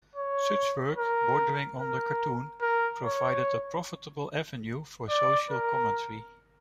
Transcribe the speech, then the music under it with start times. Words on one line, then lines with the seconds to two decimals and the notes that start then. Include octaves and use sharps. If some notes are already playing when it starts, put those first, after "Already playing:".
Such work, bordering on the cartoon, provided a profitable avenue for social commentary.
0.15 C#5
0.98 A#4
1.80 A#4
2.61 A#4
3.03 C#5
5.10 D5
5.51 A#4